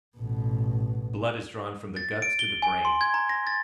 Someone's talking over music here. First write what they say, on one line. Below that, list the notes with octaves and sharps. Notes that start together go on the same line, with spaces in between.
Blood is drawn from the guts to the brain.
A1 B2
A6
D7
G7
G#5
C6
G#6
A#5
A#6
A6